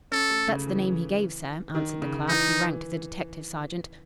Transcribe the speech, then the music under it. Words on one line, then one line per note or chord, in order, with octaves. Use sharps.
"That's the name he gave, sir," answered the clerk, who ranked as a detective-sergeant.
C#4 A4
A3
C#3
E3
D#3
C#3
E3 D#4